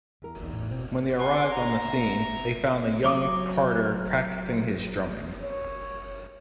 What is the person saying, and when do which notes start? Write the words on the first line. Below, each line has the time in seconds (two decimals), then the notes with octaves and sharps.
When they arrived on the scene, they found the young Carter practicing his drumming.
0.22 E2 A#4
0.40 A#1 E2 D#4
0.53 A2
0.71 B2 C4
1.17 F#5 G#5 C6
1.51 A#5
1.80 E5
3.04 F#3 D6 D#6
5.42 C#5